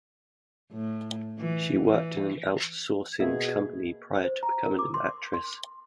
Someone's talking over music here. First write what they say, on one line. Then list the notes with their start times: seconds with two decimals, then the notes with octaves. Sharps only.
She worked in an outsourcing company prior to becoming an actress.
0.72 A2
1.39 E3
1.87 E3
3.20 B2 A#3 G#4 E5
4.24 C5
4.43 A#5
4.66 A#4
4.79 D6
4.94 C6
5.34 C6